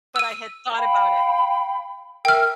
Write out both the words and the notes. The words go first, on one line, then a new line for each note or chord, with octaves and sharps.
But I had thought about it.
E6 D#7
F5 G5 B5
A#4 E5 G5 E6 F6